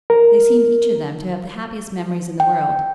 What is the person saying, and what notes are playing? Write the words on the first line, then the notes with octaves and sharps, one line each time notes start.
They seemed each of them to have the happiest memories in the world.
A#4
G5